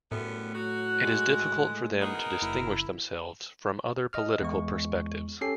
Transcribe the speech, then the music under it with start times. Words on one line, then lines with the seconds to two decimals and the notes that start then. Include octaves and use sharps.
It is difficult for them to distinguish themselves from other political perspectives.
0.12 F#2 A2 G3 B3
0.55 F#3 F#4 F#6
0.97 G#3
2.02 B3 D#4 G#4 A#4
2.42 F#1 E4
4.13 D#5 F6
4.41 E2 G#3 C#6
5.41 C#4 G4 A4 C7